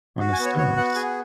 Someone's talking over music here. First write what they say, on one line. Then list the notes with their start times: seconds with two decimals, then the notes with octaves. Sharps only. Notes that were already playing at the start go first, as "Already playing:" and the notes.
on the stoves.
0.20 F#4
0.33 G#5
0.39 B3
0.45 C#5
0.58 F#4 C#5
0.77 B3 F#5
0.96 G#4 G#5